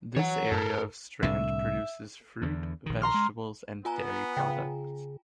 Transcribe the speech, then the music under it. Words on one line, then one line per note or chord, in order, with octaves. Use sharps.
This area of Strand produces fruit, vegetables, and dairy products.
E3 C#5 F#5
G2 A4 A#4
C2 A2 D3 E5
E2 D3
A#1 D#3
A#5 C6 F6
G#3
B3 F4 G#5 A#5
C#3 G5